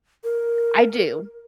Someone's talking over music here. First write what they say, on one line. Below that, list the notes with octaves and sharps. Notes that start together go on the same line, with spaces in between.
I do.
A#4